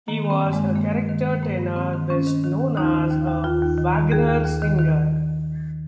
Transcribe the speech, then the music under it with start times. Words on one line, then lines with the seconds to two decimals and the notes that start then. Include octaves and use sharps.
He was a character tenor best known as a Wagner singer.
0.08 D#3 A#3
0.25 D#3
0.30 C4
0.42 G2
0.53 G#3
0.59 G2
0.75 D#3 A#3
0.92 G2
1.09 D#3
1.26 D#3
1.43 G2 A#3
1.59 G2
1.76 D#3 C4
1.93 D#3
2.10 D#3 C#4
2.27 D#3
2.44 D#3
2.60 D#3
2.77 D#2 D#4
2.94 D#3
3.11 D#2
3.28 D#2
3.44 D#2 F4
3.62 D#2
3.78 D#3
3.95 D#3
4.12 D#2 G#4
4.28 D#2
4.45 D#2
4.62 D#3
4.79 D#3